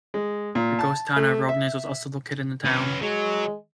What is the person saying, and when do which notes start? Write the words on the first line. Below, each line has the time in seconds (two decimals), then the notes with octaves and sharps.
The ghost town of Rogneys was also located in the town.
0.14 G#3
0.55 A#2
0.79 A5
1.16 A3
1.49 E5
2.66 C#4 B4
3.02 F#3 G#3